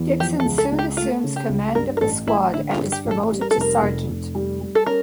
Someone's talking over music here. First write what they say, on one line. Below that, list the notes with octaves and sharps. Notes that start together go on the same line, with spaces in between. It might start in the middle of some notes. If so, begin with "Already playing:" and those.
Dixon soon assumes command of the squad and is promoted to sergeant.
Already playing: E2 E3
F3 G4
A4
C#2
A4
C#2
G4
A3 F4
C#3
G4
C#2
G2 A#4
A#4
A1 A4
A1 E4
D3 E4
F4
G2
G4
A1
A4
G3
A#4
A4
F1 A#4
F1
F1
G3
G3
A4
C#4 A#4